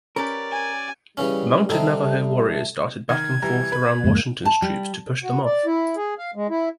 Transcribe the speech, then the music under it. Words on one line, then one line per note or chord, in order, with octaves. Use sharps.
Mounted Navajo warriors darted back and forth around Washington's troops to push them off.
C#4 G4 A#4 B4 D5
G#5
C#3 E3 G3 C#4
C3 C4 D#4 A4 E5 A5
D#3 G#6
E3 G3 A#5
B4
F2 G#2 C#3 G#3 A#3
A5
G3
F#4
D5
E4
G#4
F5
G#3
E4